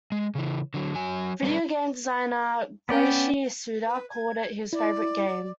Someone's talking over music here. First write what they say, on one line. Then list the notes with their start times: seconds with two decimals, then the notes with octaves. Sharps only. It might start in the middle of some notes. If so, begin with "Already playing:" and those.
Video game designer Goichi Suda called it his favourite game.
0.12 G#3
0.35 C#3 E3
0.74 D3 F#3
0.95 F#3 G#5
1.43 G3 C#4 D4 B4
2.89 B3 C#4 D5 G5
3.86 B4
4.10 G#6
4.73 E4 D5